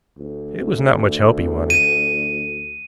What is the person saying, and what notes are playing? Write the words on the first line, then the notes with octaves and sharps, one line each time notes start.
It was not much help he wanted.
D2
D#7